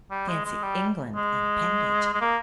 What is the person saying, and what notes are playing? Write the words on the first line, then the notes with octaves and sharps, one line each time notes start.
Fancy England an appendage!
G3
G#3
G#3
G3
G#3
G#3
A#3